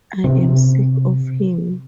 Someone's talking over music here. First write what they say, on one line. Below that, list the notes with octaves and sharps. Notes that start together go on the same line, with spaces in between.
I am sick of him.
C3